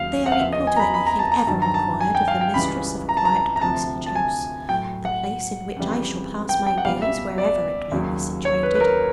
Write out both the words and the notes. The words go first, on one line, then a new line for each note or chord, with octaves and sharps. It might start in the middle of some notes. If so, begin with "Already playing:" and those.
They are equal to anything ever required of the mistress of a quiet parsonage-house--the place in which I shall pass my days, wherever it may be situated.
Already playing: D#2 C#3 F#3 F5
F#5
F5
E2 C#3 F3 E5
D#5
G#5
A#5
B5
B5
A#5
A5
A#5
G2 D#3 F#3 A5
A#5
A5
G#5
G5
F5
G5
C#2 C#3 E3 G3 B5
A#5
A5
A#5
A#5
D2 C3 F3 A5
A5
G#5
A2 F#3 G5
F#5
F2 C#3 E3 G3
G5
G5
F#5
C#2 B2 G3 F5
E5
D5
D#2 C#3 F#3
C#5
B4
B4
A#4